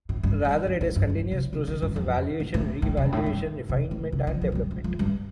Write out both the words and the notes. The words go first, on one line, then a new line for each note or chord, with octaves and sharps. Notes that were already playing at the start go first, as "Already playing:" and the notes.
Rather it is a continuous process of evaluation, reevaluation, refinement, and development.
A2
G2
G2
F2
A2
G2
G2
C3
C3
D3
G2
F2
A2
A2
A2
C3
G2
A2
G2
C3
A2
C3
D3
F3
F3
G3
F3
F2
G2